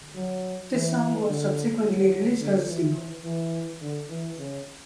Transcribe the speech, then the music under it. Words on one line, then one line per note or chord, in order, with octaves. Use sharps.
This song was subsequently released as a single.
F#3
E3
D3
F#3
D3
E3
E3
D3
E3
C#3